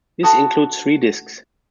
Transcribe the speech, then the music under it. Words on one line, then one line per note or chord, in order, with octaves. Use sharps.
This includes three discs.
F#4 A4 D#6